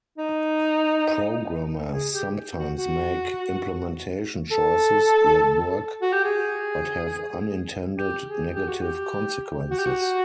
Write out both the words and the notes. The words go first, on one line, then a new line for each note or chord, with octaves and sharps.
Programmers sometimes make implementation choices that work but have unintended negative consequences.
D#4
G#4
G4
F#4
F#4
A4
F#4
G4
G#4
G4
G#4
G4
F#4
G4
F#4
G4
F#4